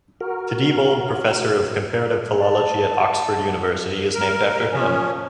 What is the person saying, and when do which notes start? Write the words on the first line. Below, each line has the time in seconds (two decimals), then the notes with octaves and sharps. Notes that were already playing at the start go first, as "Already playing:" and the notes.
The Diebold Professor of Comparative Philology at Oxford University is named after him.
0.21 F#4 A#4
2.41 A5
4.14 A#4
4.72 F3 C#4